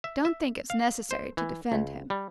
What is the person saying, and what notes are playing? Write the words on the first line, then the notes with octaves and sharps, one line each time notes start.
Don't think it's necessary to defend him.
E5
E5
F5
C5
E3
C#2
G3